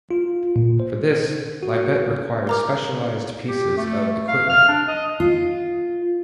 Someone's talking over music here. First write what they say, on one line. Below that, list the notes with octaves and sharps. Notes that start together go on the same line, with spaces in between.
For this, Libet required specialized pieces of equipment.
F4
A#2
C5
F#4
A#4 A#5 D6
G4
A3
F5
F6
D4
D#5
F4